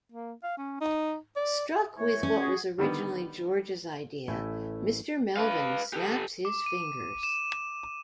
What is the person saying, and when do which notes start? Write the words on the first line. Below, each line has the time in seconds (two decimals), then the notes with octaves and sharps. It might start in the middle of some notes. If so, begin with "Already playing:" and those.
Struck with what was originally George's idea, Mr. Melvin snaps his fingers.
0.12 A#3
0.43 F5
0.58 C#4
0.80 D#4
1.36 D5
1.96 E3 A3 C#5
2.23 C#4
2.39 F#4 G#4
2.78 D3 D#3 G3 B3 D4
4.28 A1 A3 E4 G5 G#5
5.37 B4 F5
5.93 G4 A4
6.45 D6
6.66 D#7
7.23 E7